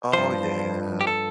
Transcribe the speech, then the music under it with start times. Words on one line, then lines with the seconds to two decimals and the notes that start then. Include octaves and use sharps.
Oh yeah.
0.13 G2 F3 C5
1.01 G4
1.07 A4